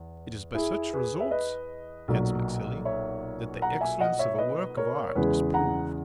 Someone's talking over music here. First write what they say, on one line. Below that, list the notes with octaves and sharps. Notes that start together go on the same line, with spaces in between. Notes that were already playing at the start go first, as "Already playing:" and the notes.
"It is by such results," adds MacSilly, "that the excellence of a work of art is proved."
Already playing: E2
E4 G#4
G#4 B4
E5
B4 D#5
B1 A#2 F#3
C#5 E5
F#5 A#5
E5 G#5
D#5 F#5
C#5 E5
E5
B4 D#5
A#4 C#5
C#5
E2 C#3 E3 G#3 G#4 B4
F#5 A#5